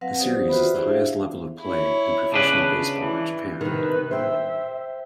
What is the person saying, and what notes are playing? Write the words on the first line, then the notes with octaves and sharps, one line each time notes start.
The Series is the highest level of play in professional baseball in Japan.
F#3 C4 B4 F5 F#5
G4 C5 D5 D#6
F4 F#4 B4 C5 E5 B5
D4 E4 G4 G#4 C5 E5
F5
E4 C#5
C#3 D4 B4
E3
C3 D#3 B4
C5 E5 G5